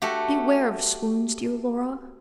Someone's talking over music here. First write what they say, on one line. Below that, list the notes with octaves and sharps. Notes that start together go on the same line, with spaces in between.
Beware of swoons Dear Laura....
A3 F#4 G4